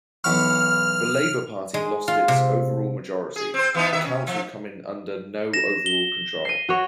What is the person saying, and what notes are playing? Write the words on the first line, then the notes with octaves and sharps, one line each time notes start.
The Labour Party lost its overall majority, the council coming under no overall control.
B1 E3 C#6 F6
G#3
F4
C3
G#4
C4 C5
E3 B3 D#4
D#3 B3 E5
C#4
F3
A#6 E7
G7
C7 D#7
F#4 C#5